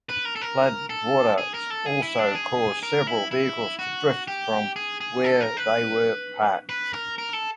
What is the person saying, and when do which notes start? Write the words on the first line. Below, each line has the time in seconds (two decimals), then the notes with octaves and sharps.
Floodwaters also caused several vehicles to drift from where they were parked.
0.09 B4
0.25 A#4
0.36 A4
0.41 A#4
0.89 A4
1.38 G#4
1.54 A#4
1.70 A4
1.86 G#4
2.02 E4
2.19 D4
2.35 G#4
2.83 A#4
3.07 E4
3.31 E4
3.79 F#4
4.28 G4
4.76 G#4
5.01 G#4
5.24 A4
5.41 A#4
5.57 B4
6.69 B4
6.93 A#4
7.18 A#4
7.33 A4